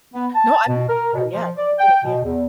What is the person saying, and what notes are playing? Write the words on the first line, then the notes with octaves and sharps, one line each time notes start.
No. I'm with you there, yeah. That's a good idea.
B3
A5
B2
A#4
B2
F3
D5
G5
B2
E2